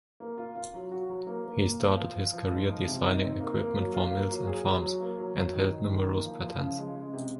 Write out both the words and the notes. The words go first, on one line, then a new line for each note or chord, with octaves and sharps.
He started his career designing equipment for mills and farms, and held numerous patents.
A#3
F4
F4
F#3
F#4
F#3
A#3
A#3
A#2
F3
F3
F3
F3
G#2
F3
C3
D#4
C4
A#3
A#3
F#3
F4
A#3
F#3
G#4
F#3
F#3
A#3
F#3
F#3
D#3
D#4
D#3
A#3
F3
F3
C#3
G#3
G#3
C3